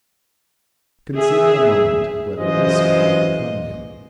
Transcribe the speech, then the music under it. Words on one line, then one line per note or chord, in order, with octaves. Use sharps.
Consider a moment whether this would become you.
G#4 E5
F#2 E3 G#3 F4 C5 D#5